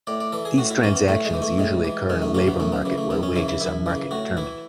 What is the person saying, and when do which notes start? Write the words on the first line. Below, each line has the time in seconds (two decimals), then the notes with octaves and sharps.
These transactions usually occur in a labour market where wages are market determined.
0.07 A2 D5
0.20 D5
0.32 E3 A4
0.45 G#4
0.58 A2 F#4
0.70 E4
0.83 E3 C#4
0.95 B3
1.08 A2 A3
1.25 G#3
1.34 E3
1.42 A3
1.58 A2 G#3
1.84 E3
2.10 F#2 G#3
2.22 A3
2.34 C#3 E3 C#4
2.47 B3
2.60 F#2 A3
2.72 B3
2.85 C#3 E3
2.98 A3
3.10 F#2 B3
3.23 C#4
3.36 C#3 E3 E4
3.48 E4
3.60 F#2 E4
3.86 C#3 E3
4.11 A2 F#4
4.37 E3 E4